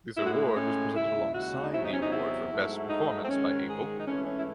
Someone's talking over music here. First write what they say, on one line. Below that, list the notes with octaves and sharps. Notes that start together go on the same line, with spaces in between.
This award was presented alongside the award for Best Performance by a Vocal Group.
A2 G#3 E4
F#4
E4
C#4
D#2 C#3 G#3 E4
F#4
D#4
E2 C3 F#3 E4
D#4
C#4
D#4
E4
G#2 F#3 A3
D#4
C4
G#2 D#3 G#3 C#4
G#4
D#4
G#2 E3 A3 C#4
C#4
E4